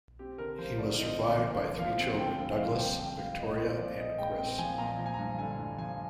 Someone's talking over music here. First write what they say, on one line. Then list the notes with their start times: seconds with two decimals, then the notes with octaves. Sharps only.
He was survived by three children, Douglas, Victoria and Chris.
0.19 C4 G4
0.38 D3 A#4
0.58 F3 C5
0.78 D3 D5
0.99 C4 D#5
1.19 D3
1.39 F3
1.59 D3
1.79 F3 F5
1.99 C4
2.18 D3 G5
2.39 G2
2.58 F3 F5
2.78 C4 G5
2.99 D3 G5
3.18 G2 F5
3.38 G#3 D#5
3.58 C4 C5
3.78 F3 D5
3.99 A#2 D#5
4.18 G#3 G5
4.38 C4 G5
4.59 F3 G#5
4.78 A#2 A#5
4.99 F3 A#5
5.06 G#5
5.14 G2 A#5
5.39 D3 G#5
5.59 G2
5.78 F3 G#5